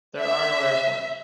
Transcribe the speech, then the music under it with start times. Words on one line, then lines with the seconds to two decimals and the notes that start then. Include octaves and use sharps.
There are no airports.
0.19 E5